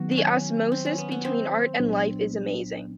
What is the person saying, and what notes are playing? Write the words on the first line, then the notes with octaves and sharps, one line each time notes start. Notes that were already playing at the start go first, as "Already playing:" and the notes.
The osmosis between art and life is amazing.
Already playing: D#3 F#3 B3 F#4
D4
C#4
C4
C#4
B3
B3
C4
C2 A#2 F#3 B3 D4